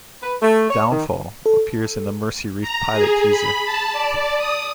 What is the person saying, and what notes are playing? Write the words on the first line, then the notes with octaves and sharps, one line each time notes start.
"Downfall" appears in the "Mercy Reef" pilot teaser.
B4
A3
C#5
D#3
A4
A#5
G#4
B5
A5
D5
D#6